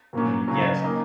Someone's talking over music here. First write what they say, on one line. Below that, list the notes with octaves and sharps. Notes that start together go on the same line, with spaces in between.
Mm, yes.
A#2 F#3 A#3 C#4
C#3 F#3 C#4
D#3 A#3 C#4 D#5